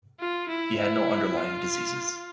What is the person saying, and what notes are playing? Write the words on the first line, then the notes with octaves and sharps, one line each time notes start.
He had no underlying diseases.
F4
E4
E4
F4